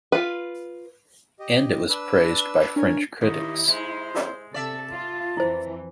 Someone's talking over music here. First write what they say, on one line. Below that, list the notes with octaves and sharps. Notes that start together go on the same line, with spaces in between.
And it was praised by French critics.
F4 B4
G4 D#5
D4 B4 E6
D4 A#4 C#5 G#5
D#2 D#4 E4
G#3 C5
C3 A4 D5 E5 A5
F4
F2 E3 E4 C5